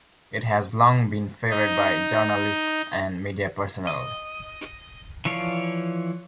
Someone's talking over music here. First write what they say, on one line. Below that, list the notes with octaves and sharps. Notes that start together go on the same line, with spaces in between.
It has long been favoured by journalists and media personnel.
D#4
D#5
E3 F3 C#5 D5 F5